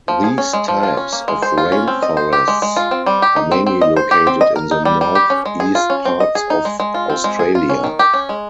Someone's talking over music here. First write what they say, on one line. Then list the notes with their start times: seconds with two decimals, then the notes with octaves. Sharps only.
These types of rainforests are mainly located in the north-east parts of Australia.
0.08 F3
0.24 G#4
0.38 C#4
0.53 G#3
0.68 F3
0.83 F4
0.97 C#4
1.13 A#3
1.28 G#3
1.42 C5
1.58 F4
1.72 C#4
1.88 C4
2.02 D#5
2.17 C5
2.33 G4
2.48 G#3
2.62 G#3
2.77 F4
2.91 C4
3.06 G3
3.22 G4
3.36 D#4
3.52 C4
3.66 C4
3.81 D#5
3.96 C5
4.11 G4
4.27 C4
4.41 D#5
4.56 A#4
4.71 D#4
4.85 G3
5.01 G3
5.15 G4
5.30 C#4
5.46 G#3
5.60 G#4
5.75 F4
5.90 C#4
6.05 C4
6.20 D#5
6.35 G#4
6.50 D#4
6.65 G#3
6.80 G#3
6.94 F4
7.10 C4
7.24 G#3
7.39 G#4
7.55 F4
7.69 C#4
7.84 D#3
7.99 G4
8.14 C#4
8.29 G#3